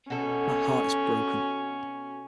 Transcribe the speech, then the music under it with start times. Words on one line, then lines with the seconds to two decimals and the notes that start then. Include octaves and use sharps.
My heart is broken.
0.10 B2 C#4 A4